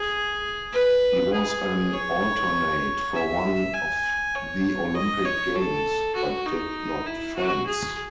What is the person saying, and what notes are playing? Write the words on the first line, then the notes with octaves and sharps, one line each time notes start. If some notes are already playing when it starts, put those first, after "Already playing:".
He was an alternate for one of the Olympic Games, but did not fence.
Already playing: G#4
B4
G#4
C#5
E5
G#5
C#5
D#5
C#5
A4
F#4
D#4
E4
F#4
G#4